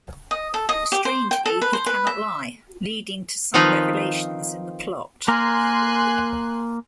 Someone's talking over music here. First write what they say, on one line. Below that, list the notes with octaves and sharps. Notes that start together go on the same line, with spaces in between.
Strangely, he "cannot lie," leading to some revelations in the plot.
D#5
A4
D#5
G4
C5
G5
A4
B4
C5
B4
E5
D#3 F3 C4 D#4 F4 B4
A#3 A#4 G#5 C6 F#6